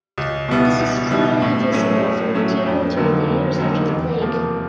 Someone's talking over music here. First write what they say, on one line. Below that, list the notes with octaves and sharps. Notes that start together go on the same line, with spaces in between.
This is clearly visible from material during the years after the plague.
C#2
B2 G3 B3 E4
C#2
B2 G3 B3 E4
A2
F#3 A3 C#4 E4
A2
F#3 A3 C#4 E4
F2
D3 F#3 A#3 D#4
F2
D3 F#3 A#3 D#4
E2
C3 F3 A#3